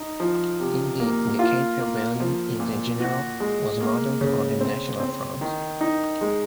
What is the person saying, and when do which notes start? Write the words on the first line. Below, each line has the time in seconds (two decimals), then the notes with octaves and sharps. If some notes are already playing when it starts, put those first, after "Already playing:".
Indeed, the Cade rebellion in general was modelled on the National Front.
Already playing: D#4
0.20 F3
0.60 C3
1.00 A#3
1.39 F4
1.79 A#3
2.20 F3
2.60 A#2
3.00 F#4
3.40 G#3
3.80 A#3
4.21 C#3
4.61 C4
5.00 C4
5.41 D#3
5.81 D#4
6.21 G#3